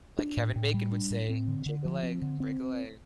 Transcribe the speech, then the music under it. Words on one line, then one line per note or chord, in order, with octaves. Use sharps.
Like Kevin Bacon would say, "Shake a leg. Break a leg."
D4
A2
A2
G3
D4
A2
C4
D3
D3
F3
C4
D3
C4